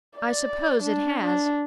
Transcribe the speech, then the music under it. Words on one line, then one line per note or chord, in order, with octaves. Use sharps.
I suppose it has.
D5
D4
D4